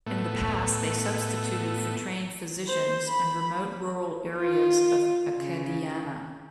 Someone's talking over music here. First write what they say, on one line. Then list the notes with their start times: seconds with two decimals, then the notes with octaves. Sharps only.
In the past, they substituted for trained physicians in remote rural areas of Acadiana.
0.07 A2 A3 B3
2.69 C5
3.08 B5
4.37 F4
5.37 C#3